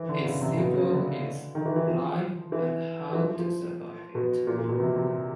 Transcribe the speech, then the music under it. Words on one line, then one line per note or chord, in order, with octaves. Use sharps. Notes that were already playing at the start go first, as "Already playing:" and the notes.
Its sequel is "Life and How to Survive It".
Already playing: E3
D3
C#3
C3
B2
C#3
D3
D#3
E3
E3
F3
E3
E3
F3
F3
F3
B2
A#2
A#2
B2
C3
C3